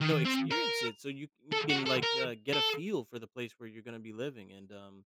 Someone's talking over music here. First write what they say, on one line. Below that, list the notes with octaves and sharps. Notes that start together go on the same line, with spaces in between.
you know, experience it, so, you you can, like, uh, get a feel for the place where you're gonna be living, and, um,
D#3
C4
A#4
A4
F#4
A4
A#4
A4